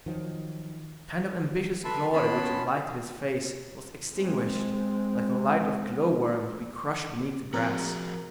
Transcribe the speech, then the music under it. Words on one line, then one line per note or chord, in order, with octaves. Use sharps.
A kind of ambitious glory which had lighted his face was extinguished, like the light of glow-worms we crush beneath the grass.
D#3 F3 F#3
A4 B4 E5 A5 B5 C6
B3 C#4 A5 B5 C6
G#3 C4
F3 C4 F#4 G#4 A#4